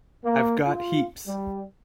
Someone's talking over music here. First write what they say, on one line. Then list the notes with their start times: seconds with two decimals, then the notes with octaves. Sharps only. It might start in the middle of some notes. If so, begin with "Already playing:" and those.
I've got heaps.
0.24 A#3
0.67 F4
1.27 G3